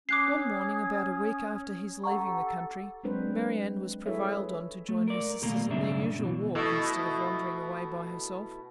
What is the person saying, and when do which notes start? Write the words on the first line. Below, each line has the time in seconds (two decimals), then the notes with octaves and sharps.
One morning, about a week after his leaving the country, Marianne was prevailed on to join her sisters in their usual walk, instead of wandering away by herself.
0.09 C#4 D6 D#6 F#6 G#6 C7
2.04 G4 A4 F#5 A#5 C#6
3.04 F#3 G#3 C4 D4 B4 C5
4.06 E4 G#4 A4 B4 C#5 E5
4.89 A3
5.08 A#4 D5
5.42 D#2 B2 A3 A#3 A#4
5.69 B1 G2 C#3 D4 E5
6.19 B2 E3
6.55 B2 A3 E4